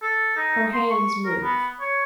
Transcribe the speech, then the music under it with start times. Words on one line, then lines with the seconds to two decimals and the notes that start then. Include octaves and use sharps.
Her hands moved.
0.02 A4
0.37 D#4
0.73 C6
0.90 C#6
1.26 A#4
1.43 B3
1.81 C#5